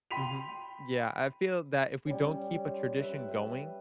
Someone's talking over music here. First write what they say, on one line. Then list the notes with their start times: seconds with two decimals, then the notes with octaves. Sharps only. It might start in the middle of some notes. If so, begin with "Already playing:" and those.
Mhm. Yeah, I feel that if we don't keep a tradition going,
0.11 G5 B5 C6 B6 D#7 F7
2.07 G3 C#4
2.65 C6
2.99 B4 E5
3.29 E5